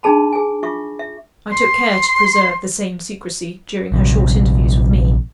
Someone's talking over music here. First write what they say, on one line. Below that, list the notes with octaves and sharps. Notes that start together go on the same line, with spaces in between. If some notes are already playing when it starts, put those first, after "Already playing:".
I took care to preserve the same secrecy, during her short interviews with me.
D4 D#4 G#4 A5 B5
G#4 G#5
F4 E5 C#6 D6
E5
C6
A#1 C3